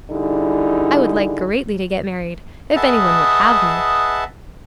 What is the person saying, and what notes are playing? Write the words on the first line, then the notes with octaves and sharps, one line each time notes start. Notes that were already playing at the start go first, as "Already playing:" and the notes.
I would like greatly to get married, if any one would have me.
D3 G3 D#4 E4 G#4
G#4 B4 D#5 E5 F#5 A5